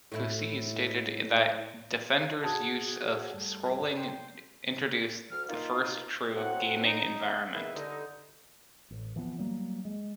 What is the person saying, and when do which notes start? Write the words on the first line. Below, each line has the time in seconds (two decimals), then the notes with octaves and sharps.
Cuciz stated that "Defender"s use of scrolling introduce the "first true 'gaming environment'".
0.12 A2 A3 E4
2.44 F#4 G#4 F#5 A5 D#6 G#6
3.34 G2 G3 A3
3.97 G5 C6
5.31 D2 F6
5.48 A#3 D#4 F4
6.35 F#3 A3 C4 F#5
6.84 D#4
7.54 D#3 B3 E4 G#4 B4 E5
7.74 G2 D3 D#4
8.91 A1
9.15 G1 E3 F3 B3
9.38 F#3 G3 A#3
9.85 G#3